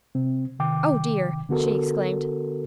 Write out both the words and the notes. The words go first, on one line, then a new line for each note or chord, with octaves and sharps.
"Oh, dear!" she exclaimed.
C3 C4
C3 D#3 G5 D6
D3 B3 F#4 A4 A#4